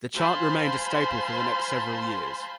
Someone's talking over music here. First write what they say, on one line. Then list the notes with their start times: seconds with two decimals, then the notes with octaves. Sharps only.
The chant remained a staple for the next several years.
0.16 C5 F5 G#5 A5 B5 C6